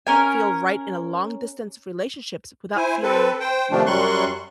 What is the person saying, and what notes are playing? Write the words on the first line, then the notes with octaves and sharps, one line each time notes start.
feel right in a long distance relationships without feeling
C#4 A#4 G#5
E4 C5 G#5
C4 A4 B4
C5 G5
C3 D#3 F3 A3 D4
F#2 F#3 G3 C6 C#6 F#6